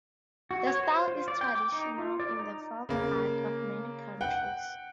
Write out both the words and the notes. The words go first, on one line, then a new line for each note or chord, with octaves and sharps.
The style is traditional in the folk art of many countries.
F#4
C#5
C5
F4
D5
G5
D6
D#4
F4
D5
D#4
C#3 A#3
F#5 G5 F#6